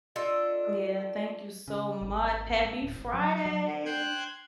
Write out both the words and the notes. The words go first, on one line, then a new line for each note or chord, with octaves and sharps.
Yeah, thank you so much. Happy Friday!
D4 F4 A4 D#5
C#3
G#1
A3
D1
G#1
F#3
F#3
C5 G5 F#6 G#6